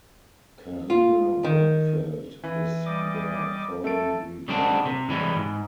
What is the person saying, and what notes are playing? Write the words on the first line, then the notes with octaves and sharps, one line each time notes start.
Carina Bergfeldt is their foreign reporter.
F4
D#3
E3
G3 D#5 D6
A3 A4 D7
C#3 G3 G#3 C4 D4 F#4
C3
C3 E3 G3 G#3
G#2